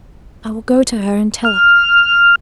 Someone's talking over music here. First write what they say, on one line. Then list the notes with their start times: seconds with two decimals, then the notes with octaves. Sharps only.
'I will go to her, and tell her.
1.45 F6